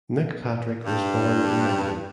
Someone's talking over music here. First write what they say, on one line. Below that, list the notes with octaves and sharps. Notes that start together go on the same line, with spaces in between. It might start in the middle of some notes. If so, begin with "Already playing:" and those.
Nick Patrick was born in London.
G2